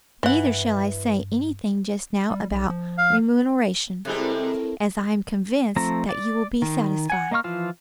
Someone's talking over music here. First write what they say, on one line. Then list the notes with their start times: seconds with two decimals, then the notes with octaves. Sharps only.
Neither shall I say any thing just now about remuneration, as I am convinced that you will be satisfied.
0.23 G2 E3 F#5
2.31 G3
2.51 B1
2.70 F3
2.98 F5
4.05 A2 C3 G3 G#3 C4 E4 A#4
5.76 F3 A3 C4 A#5
6.09 D5
6.62 D#3
7.10 F#5 G#5
7.31 A#3 D#5 F5 C#6 F6
7.44 E3 F3 F4 C5